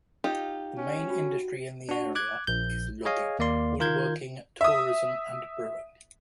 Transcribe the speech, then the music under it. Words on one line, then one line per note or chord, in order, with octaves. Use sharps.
The main industry in the area is logging, woodworking, tourism, and brewing.
D#4 F4 G4
C#4
F#4
D4 F#4
D6 F#6 G#6
A#1 G6
G#4 C#5 D#5 F5 G#5
D#2 A#3 D5 C6
D#3 F4 A#4 G6 G#6
E5 D#6